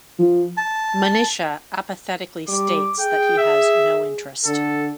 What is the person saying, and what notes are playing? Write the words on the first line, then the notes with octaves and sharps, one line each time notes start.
Manisha apathetically states that he has no interest.
F3
A5
G3 D6
G#4 G5
E5
D3 A4